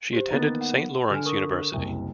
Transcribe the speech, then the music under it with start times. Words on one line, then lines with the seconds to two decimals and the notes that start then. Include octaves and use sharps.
She attended Saint Lawrence University.
0.13 G4 C5
0.30 D#3 A#3 B3 A#5 A6
0.61 F#5
1.10 D3 A4 G#5 F6
1.26 A#4 C#6 D#6
1.74 F#1 C2